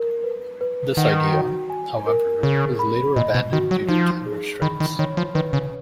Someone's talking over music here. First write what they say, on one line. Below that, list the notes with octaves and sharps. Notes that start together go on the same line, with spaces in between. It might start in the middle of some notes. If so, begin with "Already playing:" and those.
This idea, however, was later abandoned due to time restraints.
Already playing: A#4
B4
B4
D#3 F#5
F#4
G#5
A#4
C#3 G#4
B5
A#2 D#5
B2
D#3 F#4
F#3
F3 D#4
G#4
D#3 B5
D#3
D#3 C#5
F3
D#3 B4
C#3